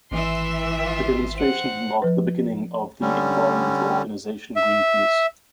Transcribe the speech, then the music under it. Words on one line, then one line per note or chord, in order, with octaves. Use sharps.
The demonstration marked the beginning of the environmental organization Greenpeace.
G#1 E3 E5 C6
F4
C4 F#5
F3 B4
D3 G3 C#4
E5